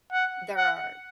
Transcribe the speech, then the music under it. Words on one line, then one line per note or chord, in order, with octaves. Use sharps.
there are
F#5
F#5